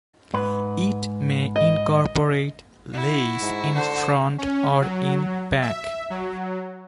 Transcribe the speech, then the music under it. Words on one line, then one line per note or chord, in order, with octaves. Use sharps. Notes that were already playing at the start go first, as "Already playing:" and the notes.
It may incorporate lace in front or in back.
G#2 B4
D#5
E4 F#4
G#2
D3 C5
C#4
F#3
E5
F#3